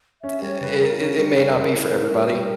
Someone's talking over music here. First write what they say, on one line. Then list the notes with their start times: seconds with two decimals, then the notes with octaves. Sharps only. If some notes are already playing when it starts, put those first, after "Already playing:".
it it it may not be for everybody.
0.23 C#4 E5
0.42 G3 C#5
0.61 C#3 B4
0.80 C#3 A#4
0.99 C#4 A#4
1.18 G3
1.37 C#3
1.55 C#3
1.75 E4
1.94 C#4
2.13 G3
2.32 G3